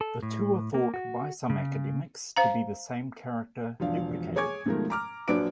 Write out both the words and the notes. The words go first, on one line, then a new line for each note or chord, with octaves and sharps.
The two are thought by some academics to be the same character, duplicated.
A4
A2
A#3
F#4
C#3
C5 F5 A#5
E1 F3 D4 F5
G#4 C#5 G#5 C#6 D6 G#6
B2 D#3 F3 G#3 A3 A#4
A#5 D6 F6
A#1 F#3 D4 B4 D6 D7